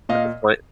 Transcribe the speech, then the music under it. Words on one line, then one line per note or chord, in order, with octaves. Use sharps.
at this point?
A#2 D#5 F5